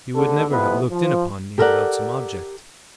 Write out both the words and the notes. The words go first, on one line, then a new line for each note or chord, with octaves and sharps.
You would never have looked in upon me without some object.
D#2 G#2 D3 A4
F2 C3 B3 E4 B4
F3
G4 A4 A#4 C5 D5 F#5